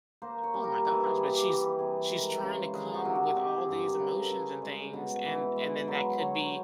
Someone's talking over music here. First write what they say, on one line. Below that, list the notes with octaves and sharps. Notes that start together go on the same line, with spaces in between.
oh my gosh, but she's she's trying to come with all these emotions and things, and and then that could be
A#3 C5
C#5
G3
A#4
E3
G#4
G3
G4
E3 G4
C3 G#4
G#3 A#4
B4
C#3
C5
D#3 G#4
F#4
C3
F#4
C4 G4
G#4
G2
A#4
C#3 B4
A#4
A4
C#3
G#4
G#3
B2
E3
G#3
F#3 B4
C5
F#3 C#5
C5